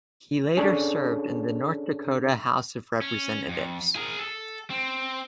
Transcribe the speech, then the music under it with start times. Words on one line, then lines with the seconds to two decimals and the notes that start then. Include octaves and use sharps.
He later served in the North Dakota House of Representatives.
0.57 C#4 D4 G#4 A4 C#5 D5
3.02 C#4
3.48 F2
3.96 G#4 A#4
4.19 A4
4.70 C4